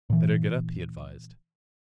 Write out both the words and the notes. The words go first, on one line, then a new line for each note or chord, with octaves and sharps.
"Better get up," he advised.
A#2 E3